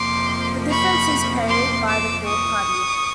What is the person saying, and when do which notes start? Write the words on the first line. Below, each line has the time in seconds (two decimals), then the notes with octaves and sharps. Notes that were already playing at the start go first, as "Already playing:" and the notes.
The difference is paid by the called party.
Already playing: F2 C3 F3 A#3 C6 D6
0.70 B5 C#6
1.47 C6 D6
1.87 D6 E6
2.26 C#6 D#6